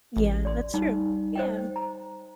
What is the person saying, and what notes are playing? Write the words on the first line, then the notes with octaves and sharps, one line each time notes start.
Yeah, that's true, yeah.
A1
D5 C6
G3 D#4
C5 D#5 G5
A#5